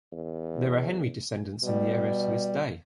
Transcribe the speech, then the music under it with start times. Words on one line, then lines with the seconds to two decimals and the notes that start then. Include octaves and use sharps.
There are Henry descendants in the area to this day.
0.13 E2
1.63 B2 G3